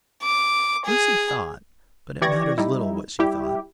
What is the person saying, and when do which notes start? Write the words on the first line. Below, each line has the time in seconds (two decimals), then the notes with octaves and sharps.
Lucy thought--but it matters little what she thought.
0.22 D6
0.85 G#4
2.22 E3 G4 D5 C#6 G#6 A#6
2.58 G3 D#4 E4
3.19 G3 E4 G4